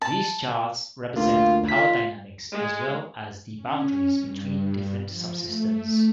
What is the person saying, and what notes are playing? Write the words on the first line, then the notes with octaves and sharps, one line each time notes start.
These charts represent power dynamics as well as the boundaries between different subsystems.
A5
D2 A#3 F4
F4 F5 B6
G#3
C#4
G2
F3
A3